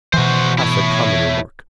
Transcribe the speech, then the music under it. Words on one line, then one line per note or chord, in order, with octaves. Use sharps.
Pass a common remark.
B2 E3 F#4 C5
E4 C#5